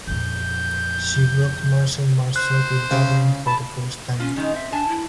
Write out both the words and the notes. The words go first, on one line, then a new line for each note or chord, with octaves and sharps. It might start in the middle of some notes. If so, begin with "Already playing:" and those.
She brought Marcel Marceau to Dublin for the first time.
F2 A#2 G6
C5 F#6
C#3
A5 B5
C#4 F4
D#3 G#3 D#4
C4 E5
D4 G#5 A5
E4